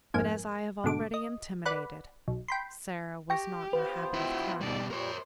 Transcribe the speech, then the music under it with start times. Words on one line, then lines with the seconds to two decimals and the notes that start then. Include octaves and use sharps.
But, as I have already intimated, Sara was not in the habit of crying.
0.14 F2 G#2 A#3 G#5
0.84 G#2 B2 D3 D6
1.14 D#5
1.65 B4 D5 F#5 B5
2.28 B1
2.48 G5 B5 C6
3.30 G4 G5 C#6 A#6
3.73 B3 F4 B4 C5
4.14 E4 F#4 G5
4.61 G#2 B2 G3 D5
4.91 A#2 G3 A#4 C5 C#5